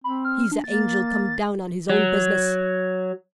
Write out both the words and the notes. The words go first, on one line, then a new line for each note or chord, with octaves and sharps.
He's a angel come down on his own business.
C4 B5
F6
D4
A#3 A6
A6
F#3